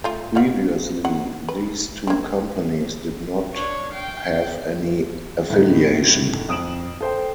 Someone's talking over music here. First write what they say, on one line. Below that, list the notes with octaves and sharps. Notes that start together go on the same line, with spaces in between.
Previously, these two companies did not have any affiliation.
A3 F4
D#3 F5 F#5
F#5
B4
A#3 C4
D4 C#5
F5 G5
A2 D3 D#4
F2 D#6 D7 E7 F#7
A4 C5 G5